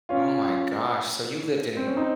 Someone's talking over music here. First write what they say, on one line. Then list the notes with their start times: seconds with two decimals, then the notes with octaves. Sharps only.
Oh my gosh. So you lived in m
0.09 C#4 F4
1.77 C4
1.87 C#4
1.97 C4 D#4